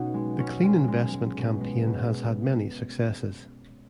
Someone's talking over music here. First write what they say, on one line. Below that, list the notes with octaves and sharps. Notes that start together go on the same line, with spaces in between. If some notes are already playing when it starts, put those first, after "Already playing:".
The Clean Investment campaign has had many successes.
Already playing: B2 C#4 D#4 F#4
G#3
G#3 C#4
G#3
G#3
G#3
B2
G#3
B2